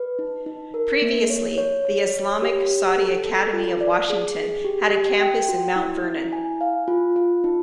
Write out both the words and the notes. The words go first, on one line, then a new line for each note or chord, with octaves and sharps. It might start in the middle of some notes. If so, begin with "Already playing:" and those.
Previously The Islamic Saudi Academy of Washington had a campus in Mount Vernon.
Already playing: B4
D#4
D#4
A#4
A#3
C#5
C#5
C#5
C#5
G4
G4
A4
A4
F4
D5
G#4
G#4
G4
G4
G5
F#4
E4
E4
G#5
F5
F4
F4
D#4